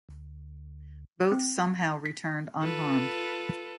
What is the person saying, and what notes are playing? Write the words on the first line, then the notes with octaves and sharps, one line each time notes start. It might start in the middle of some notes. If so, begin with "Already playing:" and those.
Both somehow returned unharmed.
D2
C4
B6
F4 A4 B4